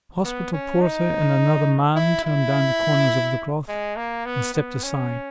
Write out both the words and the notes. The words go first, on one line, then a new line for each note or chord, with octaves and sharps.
The hospital porter and another man turned down the corners of the cloth, and stepped aside.
B3
C#4
D#4
E4
E4
G#3
A#3
B3
B3
C#4